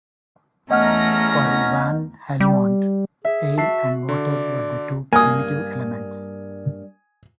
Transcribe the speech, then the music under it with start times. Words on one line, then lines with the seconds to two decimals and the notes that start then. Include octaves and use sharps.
For Van Helmont, air and water were the two primitive elements.
0.71 E2 A3 C#4 D#5 F#5 A#5 F6
2.40 G3
3.25 G#4 E5
3.58 F#4 E5 A5 C7
4.09 D3 D5
5.13 G2 A#3 G#5 D#6